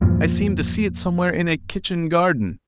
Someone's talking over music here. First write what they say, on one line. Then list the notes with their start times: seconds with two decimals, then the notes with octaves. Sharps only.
I seem to see it somewhere in a kitchen garden.
0.01 E2 G2 A#2 F3